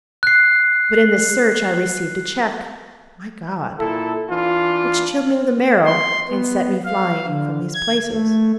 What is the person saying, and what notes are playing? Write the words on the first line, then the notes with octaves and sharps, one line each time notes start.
But in this search I received a check, my God, which chilled me to the marrow, and set me flying from these places.
F#6 C7
A#2 E4 A4
E3 D4 F4
C6
B3
F5
D3
G#6
A3